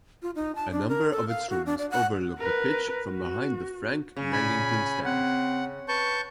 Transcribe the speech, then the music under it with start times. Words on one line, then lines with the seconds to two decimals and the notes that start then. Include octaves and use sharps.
A number of its rooms overlook the pitch from behind the Frank Nagington Stand.
0.22 F4
0.36 D#4
0.55 A5
0.71 D4
0.88 A#4
1.11 A4
1.29 F5
1.50 F#4
1.66 D4
1.78 D5
1.91 F#5
2.38 A#4 B4
3.09 F#4
4.17 C#3
4.32 A#2 G#5 B5
5.05 C4 F#5
5.88 B4 A5 C#6 G6